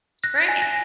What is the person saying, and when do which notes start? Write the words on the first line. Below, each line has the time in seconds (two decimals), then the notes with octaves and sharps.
It's great.
0.24 F#6 A#6
0.49 G#5
0.62 A#6